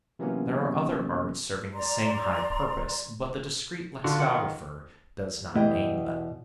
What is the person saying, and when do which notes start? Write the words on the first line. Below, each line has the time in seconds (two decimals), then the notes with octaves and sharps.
There are other arts serving the same high purpose, but the discreet lexicographer does not name them.
0.19 C3 E3 F#3 A#3 B3 C#4
1.73 D5 A#5 C6
4.04 D3 D4 F4 F#4
4.20 D#3 F#5
5.54 E2 B2 E4 G4 D#5 G5